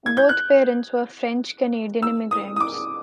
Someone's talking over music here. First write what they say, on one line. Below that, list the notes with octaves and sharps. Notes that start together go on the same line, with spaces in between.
Both parents were French-Canadian immigrants.
G#6
G6
F#6
E6
D#6
D#6
D6